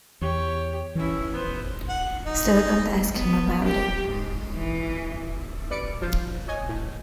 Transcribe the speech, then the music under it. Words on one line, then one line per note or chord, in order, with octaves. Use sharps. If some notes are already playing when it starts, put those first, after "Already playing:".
So don't ask him about it.
E2 G4 C#5
E3 C#4 E4
B3 C5
F#5
D#4
B3
G4
G#2
E3
A1 B4 D5 C#7 D7
F3 F4 C5
C#5 D#5 G#5
A2